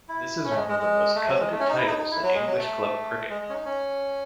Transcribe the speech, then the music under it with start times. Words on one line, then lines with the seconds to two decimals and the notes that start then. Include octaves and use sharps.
This is one of the most coveted titles in English club cricket.
0.09 E4
0.44 C#4
0.50 A3
0.56 G#3
0.68 G#3
0.79 G#3
1.16 A3
1.28 F#3
1.39 G#3
1.52 A3
1.60 C#4
1.69 D#4
1.78 E4
1.87 D#4
1.98 D#4
2.11 E4
2.23 F#3
2.35 G#3
2.47 F#3
2.58 A3
3.29 G#3
3.41 G#3
3.49 C#4
3.54 D#4
3.65 C#4